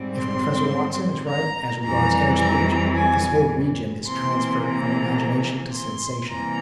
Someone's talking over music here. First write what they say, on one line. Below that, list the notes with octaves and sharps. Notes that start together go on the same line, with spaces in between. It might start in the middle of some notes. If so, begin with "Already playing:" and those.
If Professor Watson is right as regards inner speech, this whole region is transferred from imagination to sensation.
Already playing: G#2 G3 C4
C6
A#5
F2 E3 G3 A#5
A#5
G#5
C3 E3 A#3 C6
A#5
C6
C3 E3 G3 A#3 A#5